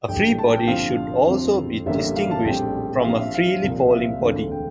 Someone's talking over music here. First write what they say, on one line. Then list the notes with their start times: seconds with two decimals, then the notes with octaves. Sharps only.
A "free body" should also be distinguished from a "freely falling body".
0.08 A#1 A2 G3 G5
0.38 A5
0.53 G5
0.67 G1 G2 F3 C4 F5
1.27 F2 D3 F3 C4
1.86 A1 G2 D3 G3 A#3 E5
2.16 F5
2.31 A5
2.45 A#1 A2 G3 C4 G5
2.99 E5
3.04 G2 F3 C4 F5
3.20 E5
3.34 F5
3.63 C2 A#2 F3 C4
3.88 E5
3.93 F5
4.23 E1 D2 D3 A3 C4
4.51 G5